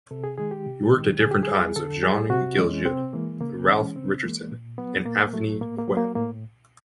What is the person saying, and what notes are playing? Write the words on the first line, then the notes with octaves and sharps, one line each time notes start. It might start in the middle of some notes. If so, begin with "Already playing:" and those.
He worked at different times with John Gielgud, Ralph Richardson and Anthony Quayle.
C3 A4
G#4
D#3 G#3 G#4
G4
C3
D#3 G#3
D3 G#4
G4
G3 G#4
D3 A4
G3 G#4
C3 F#4
E3 G#3 C#4
C3 C4
E3 G#3 A#3
C#3 A#3
E3 G#3 C#4
C#3 C4
E3 G#3 A#3
A#2
F#3 B3
A#2 A#3
F#3 A3
A2 A#3
A#3
F#3
A#3
A2 A#3